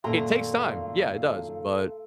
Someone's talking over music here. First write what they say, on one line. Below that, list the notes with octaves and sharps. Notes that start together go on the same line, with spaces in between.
it takes time. Yeah, it does. But,
F#2 A#2 D#3 A3 F5 A#5 C6